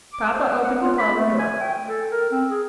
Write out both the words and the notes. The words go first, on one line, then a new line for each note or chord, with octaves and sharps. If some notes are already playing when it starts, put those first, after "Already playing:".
Papa opened the parlor door.
D6
C5
F#5
F4
B5
A3
G#5
G5
A4
A#4
C4
G#4